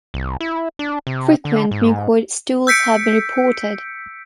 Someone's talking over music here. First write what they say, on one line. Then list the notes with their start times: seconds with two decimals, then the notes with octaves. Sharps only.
Frequent mucoid stools have been reported.
0.14 C2
0.41 E4
0.79 D4
1.07 C3
1.45 D3
1.71 G#2
2.67 E6 G6 B6 C#7 D7